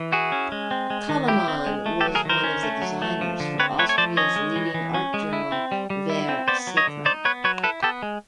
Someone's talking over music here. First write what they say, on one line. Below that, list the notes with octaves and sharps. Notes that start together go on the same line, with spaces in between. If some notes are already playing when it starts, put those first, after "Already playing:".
Koloman was one of the designers for Austria's leading art journal "Ver Sacrum".
Already playing: E3
E4 F#4 G#4
C#4
G#3
C4
G#3
D#3
E4 G4
C4
G#3
A3
G4 A4
F#3
G#4 A#4
D#3 A#4 C5
C#4
A3
F#3
A3
F3
D3
C4 B4 C#5
A3 B4 C#5
C#5
F3 C5 D5
C#4 C#5 D#5
G#3
E3
E3
C#4
G#3
E4
C4
G3
G3
E4
C4
B3 C5 D5
F#3
C#5 D#5
D3
D#4 C5 D5
B3 B4 C#5
F#3 B4 C#5
E4 A4 B4
B3 G4 A4
G#3